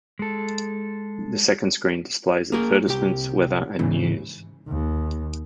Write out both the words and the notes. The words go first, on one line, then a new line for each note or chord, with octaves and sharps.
The second screen displays advertisements, weather, and news.
G#3 A4
A#3 G#4 A#4
C2 G4
G#2 C#3 E3
D#2